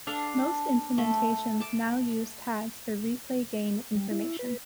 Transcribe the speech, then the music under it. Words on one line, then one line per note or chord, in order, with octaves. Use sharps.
Most implementations now use tags for ReplayGain information.
D4 A4 F5
A3
A5 D6
G3
E4
B4